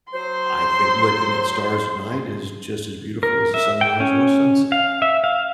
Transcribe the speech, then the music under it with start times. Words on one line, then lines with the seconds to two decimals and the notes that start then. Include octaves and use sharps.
I think looking at the stars at night is just as beautiful as a sunrise or a sunset.
0.13 F#3 C5 C6
3.23 A#4
3.54 E5
3.81 G5
4.00 C#4
4.72 F5
5.02 E5
5.24 F5